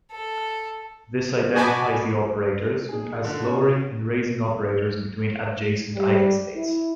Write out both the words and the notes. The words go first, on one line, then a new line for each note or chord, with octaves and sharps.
This identifies the operators and as "lowering" and "raising" operators between adjacent eigenstates.
A4
F#4 D#5 G#5 A5 B5 D6
D#4 G#4
D3
C#4
F#4
G3
E4